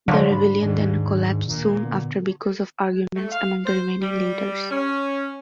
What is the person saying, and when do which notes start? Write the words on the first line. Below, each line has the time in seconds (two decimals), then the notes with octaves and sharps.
The rebellion then collapsed soon after because of arguments among the remaining leaders.
0.08 D3 F3 F#3 D5 C6
0.30 G#2 D4 B5
0.63 D#2 G#2 D#3 D4
1.47 A#2
1.85 D3 B3
3.16 A3
3.32 F5
3.66 C5
4.01 G3
4.71 C#4